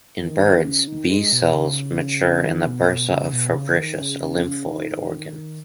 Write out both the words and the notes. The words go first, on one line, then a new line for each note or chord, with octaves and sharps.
In birds, B cells mature in the bursa of Fabricius, a lymphoid organ.
D#3
C#3
D#3
G#3
B2
C#3
D#3
B2
B2
C#3
B2
C#3
D#3
C#3
C#3
C#3
D#3